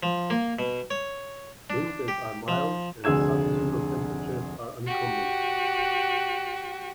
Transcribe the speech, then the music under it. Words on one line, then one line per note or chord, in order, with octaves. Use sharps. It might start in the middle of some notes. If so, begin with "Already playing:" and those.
Winters are mild and subzero temperatures are uncommon.
F3
A#3
B2
C#5
D4
G4
F3
F1 D2 G#4 E6 G#6 E7
F#4 G4